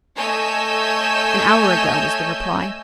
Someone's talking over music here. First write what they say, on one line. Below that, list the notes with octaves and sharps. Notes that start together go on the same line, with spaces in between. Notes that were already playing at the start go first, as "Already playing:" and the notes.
"An hour ago," was the reply.
A3 C#5 D#5 G#5 E6 G6